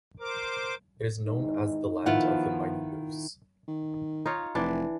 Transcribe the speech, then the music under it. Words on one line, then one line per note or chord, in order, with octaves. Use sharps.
It is known as the "Land of the Mighty Moose".
A#4 C5 D6
E2 G#2 D#3 D#4
D#3 F3 B3 E4 F4 F#5
D#3
D#4 F4 C#5
F1 E3 D4 D5